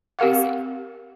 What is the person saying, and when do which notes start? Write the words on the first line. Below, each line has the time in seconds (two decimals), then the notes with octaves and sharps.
I see.
0.19 C4 G4 A#4 F5 F#5